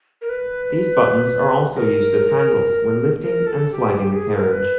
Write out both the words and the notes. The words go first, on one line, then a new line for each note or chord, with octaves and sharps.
These buttons are also used as handles when lifting and sliding the carriage.
A#4
B4
A#4
A#4
A4
G4
G4
G#4
A#4
B4